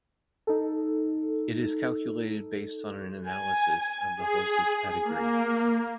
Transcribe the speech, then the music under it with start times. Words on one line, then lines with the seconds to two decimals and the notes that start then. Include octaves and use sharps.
It is calculated based on an analysis of the horse's pedigree.
0.47 D#4 A4
3.27 G#5
4.22 G#4
5.07 A#3